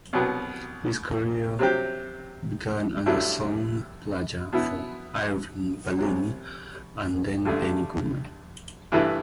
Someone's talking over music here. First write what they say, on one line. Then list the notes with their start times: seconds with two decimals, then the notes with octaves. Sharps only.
His career began as a song plugger for Irving Berlin and then Benny Goodman.
0.13 C2 B2 F#3 B3
1.59 C3 F#3 C4 G4
3.06 G2 D3 F#3 A3 E4
4.52 B2 F#3 B3 E4
5.99 C2 C3 F#3
7.45 G2 D3 A3
8.92 G2 E3 A3 E4